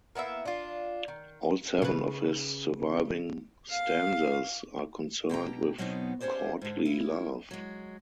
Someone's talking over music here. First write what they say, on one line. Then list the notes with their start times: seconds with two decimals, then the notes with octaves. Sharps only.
All seven of his surviving stanzas are concerned with courtly love.
0.15 A#3 B3 E4 E5
0.45 D4 F4
1.08 D#3
1.82 C#3 B4
3.70 F5
5.29 B2 G4 G5 A#5
5.78 B2 F#3 B3 C4 D#4
6.20 C#4 G4 G#4 C5 D5
6.62 G#2 D3
6.85 E4 F4
7.51 F#3 G#3